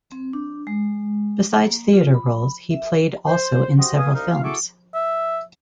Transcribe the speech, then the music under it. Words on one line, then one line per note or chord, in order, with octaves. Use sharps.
Besides theatre roles he played also in several films.
C4
D4
G#3
A#3
F4
B5
E5
C5
F#4 G4 C5 D#5
B4 F5 G#5 D#6
C2 D#4 F5
F5
E4 F#4 G#4 A4 C#6 D6
E5